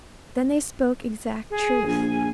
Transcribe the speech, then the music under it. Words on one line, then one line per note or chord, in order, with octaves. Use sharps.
Then they spoke exact truth.
G#4
A#1 G#5